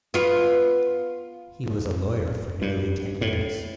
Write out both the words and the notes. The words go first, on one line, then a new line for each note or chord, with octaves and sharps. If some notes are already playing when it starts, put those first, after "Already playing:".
He was a lawyer for nearly ten years.
B3 F4
G2
A2